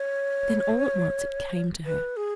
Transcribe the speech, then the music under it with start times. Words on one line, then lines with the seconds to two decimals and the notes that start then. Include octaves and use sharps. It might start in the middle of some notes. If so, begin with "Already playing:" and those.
Then all at once it came to her.
Already playing: C#5
1.86 B4
2.17 G#4